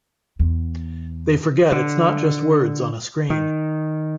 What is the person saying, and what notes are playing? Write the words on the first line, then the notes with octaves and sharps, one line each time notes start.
They forget it's not just words on a screen.
E2
D3
D#3